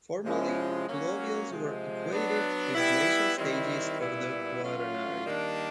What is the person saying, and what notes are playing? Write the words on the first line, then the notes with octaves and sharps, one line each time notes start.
Formally, pluvials were equated with glacial stages of the Quaternary.
C3 F3 G#3 C#4 E4
F#3 A#3 C#4 F#4
C3 F3 G#3
F#3 B3 D4
G3 B3 E4
D#3 G3 C4 E4
A#2 G3 B3 E4
F#3 A3 C#4 F4
D#3 G3 A#3 D4